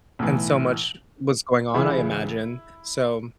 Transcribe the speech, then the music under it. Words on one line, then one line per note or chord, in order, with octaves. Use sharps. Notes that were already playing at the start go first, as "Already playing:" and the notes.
and so much was going on, I imagine, so,
B1 A2 E3
C#2 C#3 E3 E4